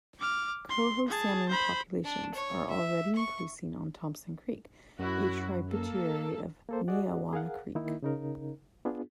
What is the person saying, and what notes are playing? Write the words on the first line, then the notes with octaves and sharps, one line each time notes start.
Coho salmon populations are already increasing on Thompson Creek, a tributary of Neawanna Creek.
D6 F6
C6
G#4 A5
C5 B5
D4
C#5
E5
C#6
F#2 E4 F#4
A#3 A4
A#3 A4 C5
F#4 G#4 D5 D#5 F#5
G#4 A#4 F5 F#5
D#3 A#3 D#4 E4
C#3 D#4 A#4
B3 D4 F4 G#4